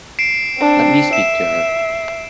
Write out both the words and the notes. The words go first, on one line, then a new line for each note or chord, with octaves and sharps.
Let me speak to her.
C7 D7 E7
C4 D4
E5 E7